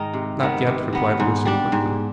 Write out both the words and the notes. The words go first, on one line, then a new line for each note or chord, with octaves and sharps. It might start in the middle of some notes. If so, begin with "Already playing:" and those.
"Not yet," replied Lucian quickly.
Already playing: G#2 D#3 D#4
C3
D#3 B3
C3
D#3 B3
G#2
G3 D4
G#2